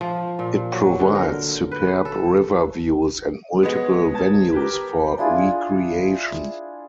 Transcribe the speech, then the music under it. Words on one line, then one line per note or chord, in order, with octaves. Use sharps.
It provides superb river views and multiple venues for recreation.
F3
A#2
F#3
D3
A#4
B4
A4
G#3 B3 C#5
G#5 A5 G#6
G4 A#4 B4
D4 E4 F4 G#4